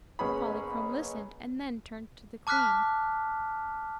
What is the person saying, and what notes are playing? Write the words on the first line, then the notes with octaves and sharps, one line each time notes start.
Polychrome listened and then turned to the Queen.
F#1 B3 C#4 G#4 B5
A5 D6 F6 F#6 B6